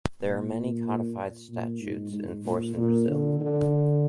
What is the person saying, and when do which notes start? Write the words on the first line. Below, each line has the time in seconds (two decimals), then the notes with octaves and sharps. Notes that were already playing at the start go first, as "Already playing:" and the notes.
There are many codified statutes in force in Brazil.
0.21 A#2
1.49 A#2
1.81 G#2
2.12 G#2
2.45 A#2
2.76 A#2
3.08 D3
3.40 D3